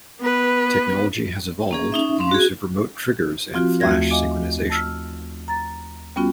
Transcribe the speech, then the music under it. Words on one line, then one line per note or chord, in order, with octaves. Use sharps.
Technology has evolved with the use of remote triggers and flash synchronization.
B3 B4
A#3 C#4 G#4
C#4 D#4 E5
C4 C#4 F5 C6
F#4 G#4
F3 C4 F4 F#4
D#2 A3 F#4 E5 G#6 A#6
D#5 F5 G#5 D6
A5 E6 F6
A#5 A6
G3 B3 C#4 F4 F#4